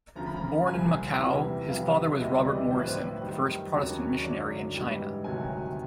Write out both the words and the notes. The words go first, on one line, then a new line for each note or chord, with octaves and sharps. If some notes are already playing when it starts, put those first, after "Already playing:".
Born in Macau, his father was Robert Morrison, the first Protestant missionary in China.
D2 C#3 F3 A#5
B5
A#5
C2 A#2 F3 G#5
E2 C3 E3 G3
F2 C3 E3 G3 F5
E5
D2 C3 E3 G3 D#5
D5
A2 F3 C5
B4
C5
F#2 D#3 G3
D#2 C#3 F#3
C#5
F#2 D3 F#3 D5
G#2 E3 G3
D2 C3 D#3 F#3 G#5